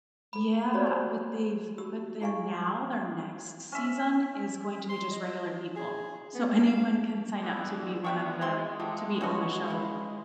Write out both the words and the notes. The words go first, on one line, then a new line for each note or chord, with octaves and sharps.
yeah, but they've but they're now their next season is going to be just regular people, so anyone can sign up to be one of the to be on the show.
A4 B5
F#4 G4 C#5 D5
C5
F#4 G4 E6
E4 G#4 D#5 F5 G#5 C#6
C#4 E5
C6
D#5
G#4
B3
F5
G2 E3 B3
B3 D4 E5 G5 C#6
F#3 G#3 C4 C6
A3 F4 G4
B2 C#4 F#4
C#3 E3